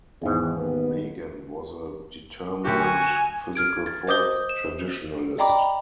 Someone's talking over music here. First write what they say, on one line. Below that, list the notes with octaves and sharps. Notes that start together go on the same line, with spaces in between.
Magan was a determined physical force traditionalist.
G#1 E2 G#2 G#4
D#2 B3
D2 F#4 G4
G#5
F6 G#6 D7
G#6 A6
C5 D#5 D6 D#6 G6 G7
E7
D5 D#5 G5 A#5 B5 D6